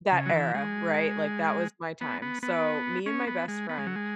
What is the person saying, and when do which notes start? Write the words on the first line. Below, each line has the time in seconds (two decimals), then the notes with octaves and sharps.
that era, right? Like, that was my time. So, me and my best friend,
0.12 C#3
0.26 F#3
0.33 E3
0.54 G#3
2.01 B3
2.22 B3
2.43 B3
3.06 C#4
3.27 B3
3.48 G#3
3.69 B3
3.78 G#3
3.87 F#3
3.96 G#3